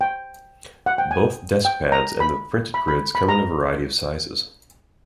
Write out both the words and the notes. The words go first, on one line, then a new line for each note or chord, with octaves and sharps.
Both desk pads and the printed grids come in a variety of sizes.
G5
F#5
G5
G#5
G5
A#5
B5
B5
B5
B5
A#5